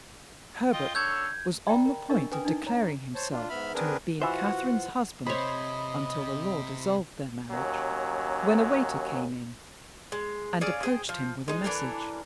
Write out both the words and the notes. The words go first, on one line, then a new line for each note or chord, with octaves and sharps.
Herbert was on the point of declaring himself to have been Catherine's husband, until the law dissolved their marriage--when a waiter came in and approached him with a message.
F4 D#5 G5
D3 C#5 E6 G6 G#6
D5 D#5 G5 A#5 B5
A#4
D4 A#4 D#5 C#6
C#4 B4 G#5 D#6
D4 D#4 D#5
C#5 A#5
C5 C#5 A5
D4 F4
G#2 B3 E5 B5 F6
B3 C4 D4 G#4 A#4 B4
E3 F4 F#4 C5 E5 F#5
C3 C5 C#5 D#5 B5
D#2 F#3 C#4
G#3
C#4 G#4 D5 F5
G#4 C5 G5
F3
G#3 D#4
E3 D4 A4 A#4